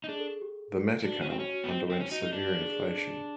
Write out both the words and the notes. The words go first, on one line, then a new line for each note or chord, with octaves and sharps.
The metical underwent severe inflation.
D#4
D4 G#4
A4
G#4
G4
G4
D4 F#4
C#4
C4
C#4 F#4
F#4
B3
C4
C4
C#4 E4
D#4 F#4
D#4 G4
D4
G#4
G4